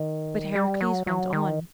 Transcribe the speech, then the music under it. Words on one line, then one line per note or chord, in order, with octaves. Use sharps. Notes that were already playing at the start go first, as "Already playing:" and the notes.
But Heracles went on.
Already playing: D#3
G3
F#3
F#3
D#3